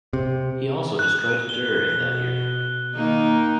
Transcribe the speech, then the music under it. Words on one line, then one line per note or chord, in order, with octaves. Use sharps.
He also destroyed Der in that year.
C3
F#6
G7
B2
D#3 A#3 D#4